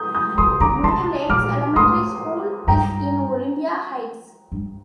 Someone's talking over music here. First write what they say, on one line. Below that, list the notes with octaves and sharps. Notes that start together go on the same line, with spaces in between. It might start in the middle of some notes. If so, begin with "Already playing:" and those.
Blue Lakes Elementary School is in Olympia Heights.
Already playing: D#6 G6
D#6 G6
C3 C6 D#6
D3 A#5 D6
C3 A5 C6
A#2 D6 F6
A2 C6 D#6
G2 G5 A#5
G2